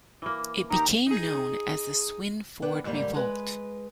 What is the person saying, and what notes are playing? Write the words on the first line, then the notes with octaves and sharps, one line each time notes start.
It became known as the "Swinford Revolt".
E3 A#3
D#3 D#4 G4 A#5
D#4 G#4
B3 D4 B4 G5
D#2 G#2 D3 G3 A#3
G#3 B4